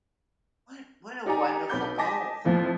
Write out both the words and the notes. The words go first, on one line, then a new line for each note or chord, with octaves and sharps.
What what a wonderful goal, a
D#4 G4 D5 G#5 A#5
B1 B3 B5 D6 G6
D#5 G#5 A5 D6 A#6 B6
F2 A2 F3 A3 A#3